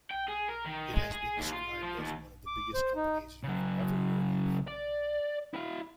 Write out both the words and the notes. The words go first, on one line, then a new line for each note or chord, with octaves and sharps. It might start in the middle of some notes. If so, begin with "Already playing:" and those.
It has been described as one of the biggest companies you've never heard of.
G5
G#4
A#4
D#3
G#3
G#4
D#2
F4
F3
D#2
D6
C5
D#4
C#3 F#3
D5
E4 F5